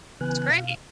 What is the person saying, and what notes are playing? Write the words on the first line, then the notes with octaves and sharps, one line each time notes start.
It's great.
C#3 E3 B3 B4 G#5 F#6
B2 F5